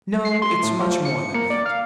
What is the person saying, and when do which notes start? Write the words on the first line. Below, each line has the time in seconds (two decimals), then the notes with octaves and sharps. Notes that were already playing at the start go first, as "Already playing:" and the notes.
No, it's much more than that.
0.25 C7
0.42 C6
0.63 A2
0.80 F3
1.05 C#7
1.34 A#3
1.50 D5
1.66 F5